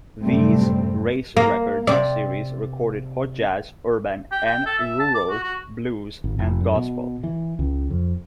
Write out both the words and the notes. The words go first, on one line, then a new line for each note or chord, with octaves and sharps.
These race records series recorded hot jazz, urban and rural blues, and gospel.
F#2 A2 C3 G3 A3 C4
A#3
C3 D5
G5
G5
A4
E5
A5
D6
F#4
F#4
G#1
F1
F#2
B2
E3
C#2
F2